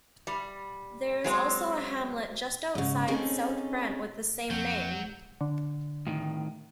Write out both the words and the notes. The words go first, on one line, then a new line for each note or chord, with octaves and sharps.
There is also a hamlet just outside South Brent with the same name.
G3
F#3 G#3 C4
G#2 C#3
C4 C#4 D#4 G#4 A4
F2 F#3 F#5 G6
D3
A2 D#3